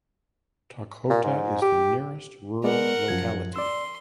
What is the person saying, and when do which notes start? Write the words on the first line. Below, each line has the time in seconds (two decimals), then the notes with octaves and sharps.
Tokhota is the nearest rural locality.
1.10 A#2
1.24 G#2
1.62 G4
2.64 G#3 B3 A#4 D5 F#5
3.08 F#2 F3 G#6
3.56 D5 C6 E6